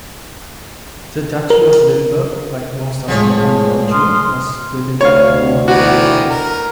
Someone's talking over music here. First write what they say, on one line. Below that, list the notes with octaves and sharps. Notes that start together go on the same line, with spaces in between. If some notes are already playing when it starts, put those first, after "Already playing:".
The Duchy of Limburg, like most of modern Belgium, was within Lower Lorraine.
A#4
A2 F3 G#3 G#4 C#5
C6 D#6 F6
D2 C#5 F5
D#3 E3 F#4 D5
A#4